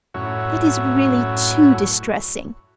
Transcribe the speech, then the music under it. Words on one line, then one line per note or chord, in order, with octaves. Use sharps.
It is really too distressing.
F#2 A2 C#4 E4 F#4 C#5